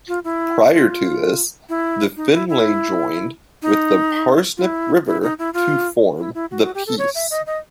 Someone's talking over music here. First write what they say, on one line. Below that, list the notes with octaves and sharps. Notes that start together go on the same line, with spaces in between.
Prior to this, the Finlay joined with the Parsnip River to form the Peace.
F4
E4
F4
E4
D#4
E4
E4
D#4
F4
E4
E4
D#4
E4
F4
E4
E4
F#4
F#4
G4
A4
C#5
E5
D#5
D#5